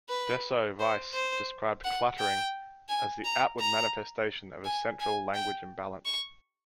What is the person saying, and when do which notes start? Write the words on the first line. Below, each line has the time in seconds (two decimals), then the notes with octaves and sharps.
Deso Weiss described cluttering as the outward manifestation of a central language imbalance.
0.09 B4
0.80 C5
1.14 C5
1.84 F#5
2.19 G5
2.89 G#5
3.25 A#5
3.60 A#5
4.65 G#5
5.00 G#5
5.34 G5
6.05 C#6